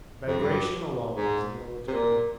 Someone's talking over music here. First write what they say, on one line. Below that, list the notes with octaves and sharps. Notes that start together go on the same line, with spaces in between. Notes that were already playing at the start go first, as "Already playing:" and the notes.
Bagration alone is a military man.
F2
G2
G#2
C3
A#2